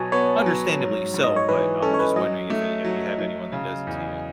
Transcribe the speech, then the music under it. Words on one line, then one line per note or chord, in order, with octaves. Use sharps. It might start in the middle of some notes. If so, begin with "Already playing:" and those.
Understandably so, but I was just wondering if it if you have anyone that does it to ya?
Already playing: B2 F#3 C#5 G#5 A5
B3 C#5
F#3
G#2
G#2
D#5
C#5
E3 B4
C#4 A4
C#5
B4
F#3 D#5
A3
F#3
F#3
C#3
E2